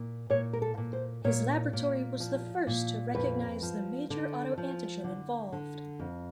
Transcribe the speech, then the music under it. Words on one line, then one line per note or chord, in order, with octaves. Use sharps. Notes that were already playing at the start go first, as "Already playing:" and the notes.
His laboratory was the first to recognise the major auto-antigen involved.
Already playing: A#2
A#2 C#5
A#4
A4
A#2
C5
A#2 C#5
A#2
F3
A#2
F2 B4
F3
D3
F3
D3
D3
F2